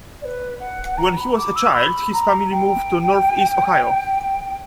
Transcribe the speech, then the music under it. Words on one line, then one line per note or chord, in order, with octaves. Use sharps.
When he was a child his family moved to northeast Ohio.
D5
B4
F#5
A#5
B5
D6
E6
B5
A#5
G5